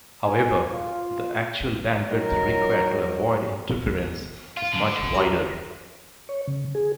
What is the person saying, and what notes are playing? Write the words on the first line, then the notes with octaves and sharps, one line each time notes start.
However, the actual bandwidth required to avoid interference is much wider.
G#5
F4
D#3 F#3 A#4
F4 F5
D3
F#4 G4 A#5
C#5
C#3
G#4